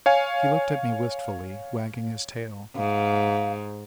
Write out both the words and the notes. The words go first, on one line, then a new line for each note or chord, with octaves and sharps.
He looked at me wistfully, wagging his tail.
C#5 F5 G#5
G#2 F5